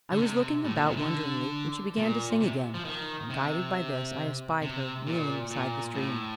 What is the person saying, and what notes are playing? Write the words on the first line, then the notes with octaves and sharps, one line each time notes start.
I was looking about wonderingly, when she began to sing again, and, guided by this, I espied her kneeling beside the stream.
D3
C3
A2
A#2
C3
D3
A#2
C3
F3
D#3
C3
C3
A#2
A#2
A2